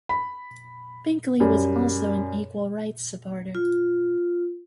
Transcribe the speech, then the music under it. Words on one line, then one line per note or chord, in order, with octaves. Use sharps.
Binkley was also an equal-rights supporter.
B5
F#2 G3
F4